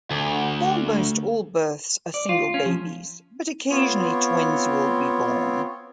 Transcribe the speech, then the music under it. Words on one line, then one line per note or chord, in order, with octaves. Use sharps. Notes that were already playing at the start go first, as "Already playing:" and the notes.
Almost all births are single babies but occasionally twins will be born.
D2
D5
F4
C#4
F3
B3 C4 F4 C#5